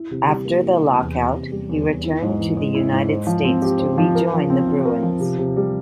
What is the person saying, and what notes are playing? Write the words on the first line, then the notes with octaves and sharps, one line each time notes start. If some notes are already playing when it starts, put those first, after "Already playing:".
After the lockout, he returned to the United States to rejoin the Bruins.
Already playing: E4
C3
G3
A#3
E4
C3
E2
E2
C3
G3
E2
E2
E4
G#2
E3
G#3
E4
G#2
C5
F3
C4
G4
C5
F3
A#4
F3
C4
F4
A#4
F3
C3
C3
G3